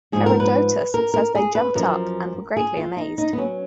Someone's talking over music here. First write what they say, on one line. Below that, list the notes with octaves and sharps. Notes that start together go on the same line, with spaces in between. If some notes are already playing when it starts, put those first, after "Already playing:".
Herodotus says they jumped up and were greatly amazed.
G#2 F3 G#4
A#4
B4
A#4
A#4
G#4
B4
F#2 F3 A#4
G#4
F4
D#4
D#4
B3
F#3 C#4